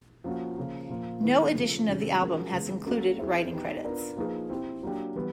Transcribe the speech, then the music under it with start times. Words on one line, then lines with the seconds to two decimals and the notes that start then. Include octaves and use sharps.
No edition of the album has included writing credits.
0.24 F3 A#3 C#4 F#4
0.57 C#3 F3 A#3
0.89 A#2 F3 A#3
1.23 D#3 G#3 B3 E4
1.55 C#3 F3 A3
1.88 C3 D#3 G#3 C#4
2.20 F3 G#3 C#4 F#4 A#4
2.53 C#3 E3 G#3 B3
2.86 F#3 A#3 C#4 F#4 A4
3.19 C4 E4 G#4 C5 E5
3.51 B3 D#4 G4
3.84 B3 D4 F4 A#4 D5
4.17 F3 A#3 D#4 G#4 B4
4.49 C4 E4 G4
4.83 F#3 A#3 D4 G4
5.16 E3 G3 B3